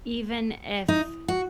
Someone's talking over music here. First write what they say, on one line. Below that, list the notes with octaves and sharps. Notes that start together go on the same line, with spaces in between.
even if
D#4
F#4